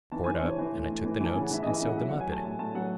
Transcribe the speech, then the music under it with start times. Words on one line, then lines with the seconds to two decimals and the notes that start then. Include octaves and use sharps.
I tore it up, and I took the notes and sewed them up in it.
0.12 E3 A5
0.24 E3 G#5
0.35 C5
0.43 E3 C#5
0.59 E3
0.74 A2
0.90 A2
1.05 E3
1.20 E3 A5
1.34 C#3 G#5
1.43 F#5
1.51 E3 E5
1.63 E3 D#5
1.75 E5
1.82 C#3 F#5
1.97 F#3 E5
2.09 F#3 F#5
2.20 G#5
2.29 A2 A5
2.44 A2 A5
2.59 A2 A5
2.75 F#3 F#5